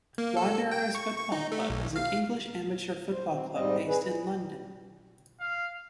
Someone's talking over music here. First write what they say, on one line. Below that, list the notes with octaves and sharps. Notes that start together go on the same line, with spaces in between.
Wanderers Football Club is an English amateur football club based in London.
A#3
A4
G5
C#6
C#6
D#4
A3
B1
F5
C5
C4
G#2 G3 C4 D#5
G#4 B4
F5